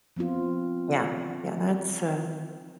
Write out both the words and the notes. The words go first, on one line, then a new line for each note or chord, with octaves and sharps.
Yeah. Yeah, that's, uh
F3 B3 C4 F4